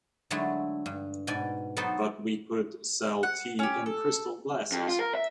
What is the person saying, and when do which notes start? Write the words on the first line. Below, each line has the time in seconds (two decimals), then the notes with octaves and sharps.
But we could sell tea in crystal glasses.
0.31 D3 F#3 G#3 A3 D4 E4
0.86 G2
1.27 G#2 B2 D5 G#5
1.77 F#3 B3 D#4 A4 C5
3.23 F#5
3.59 C#4 G4
3.86 A4
4.72 F2
4.88 F4
5.00 A#4
5.15 E5